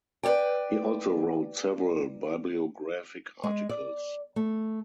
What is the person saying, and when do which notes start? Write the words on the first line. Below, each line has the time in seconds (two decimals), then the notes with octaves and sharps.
He also wrote several bibliographic articles.
0.23 B4 C#5 D5 G5
3.43 G#3
3.69 D5
4.36 A3